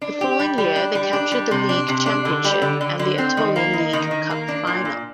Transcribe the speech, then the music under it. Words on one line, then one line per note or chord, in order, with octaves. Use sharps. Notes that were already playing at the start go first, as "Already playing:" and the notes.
The following year they captured the League Championship and the Aetolian League Cup Final.
D4
G4
G3
G3
D4
G3
D4
G3
C3
D4
C3
D4
D3
G3
D3
D3
D3
C4
D#3
A#3
D#4
D#3
D#3
A#3
D4
A#2
A#2